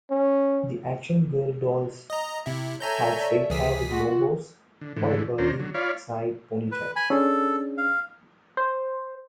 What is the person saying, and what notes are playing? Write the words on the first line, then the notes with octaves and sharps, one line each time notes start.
The Action Girl dolls had straight hair with no bows, or a curly, side-ponytail.
C#4
D#5 A#5
C3 E4
A4 C#5 E5 G#5 A#5 G6
D5
C#2 E3 G#4 B6
F4 F#4
D3
G#2 D3 E3 A3
D#2 C#4 D4 C5 A#5
D3 F#3
F4 C#5 D5 F5 B5
B4
G#5 B5
C#4 D4 G#4 A4
F5
C5